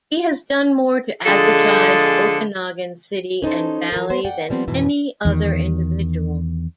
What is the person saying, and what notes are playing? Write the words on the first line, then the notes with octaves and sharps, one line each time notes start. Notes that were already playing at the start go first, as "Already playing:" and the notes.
He has done more to advertise Okanogan city and valley than any other individual.
D3 F3 G#3 G#4 A4
C#4 D#4 A4 C5
F3 A#4
B3 C5
D5 F#5 G5
F3 G3 B3 C4
F2 G#2 B2 E3
E2 D#3